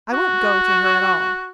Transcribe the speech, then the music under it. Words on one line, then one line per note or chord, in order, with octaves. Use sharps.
I won't go to her at all.
F#4